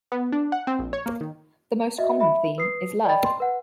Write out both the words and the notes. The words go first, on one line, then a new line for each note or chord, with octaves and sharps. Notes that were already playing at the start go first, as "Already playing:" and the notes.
The most common theme is love.
B3
D4
F#5
C4
A#1
C#5
A#3
D#3
F#4 D#5 E5
E5 B5
B4 D#6 C7
D5 D#5 G5 B5 A6
C6
B4 F#5